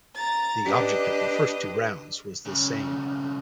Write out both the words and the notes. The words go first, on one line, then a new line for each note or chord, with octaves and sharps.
The object of the first two rounds was the same.
A#5 A6
D4 G4 B4 D#5
B1 C#3